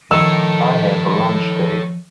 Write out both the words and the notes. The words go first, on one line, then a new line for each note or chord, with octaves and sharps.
I have a lunch date.
D#3 F3 A4 C#5 E6